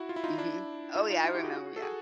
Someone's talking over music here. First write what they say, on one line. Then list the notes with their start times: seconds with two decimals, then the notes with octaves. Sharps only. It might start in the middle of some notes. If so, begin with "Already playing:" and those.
Mhm. Oh, yeah, I remember, yeah.
Already playing: E4 F#4
0.09 F4
0.16 E4
0.24 D#4 F4
0.38 D4 E4
0.96 D#4 F4
1.10 D#4 F4
1.24 E4 F#4
1.34 F4 G4
1.44 F#4 G#4
1.76 A4
1.82 F#4 G#4